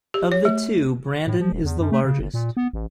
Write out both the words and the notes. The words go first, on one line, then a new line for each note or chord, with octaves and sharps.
Of the two, Brandon is the largest.
G4
C#5
A3
A2
F3
E1
E2
F#2
A3
C#3
G1
A#2
B3
A1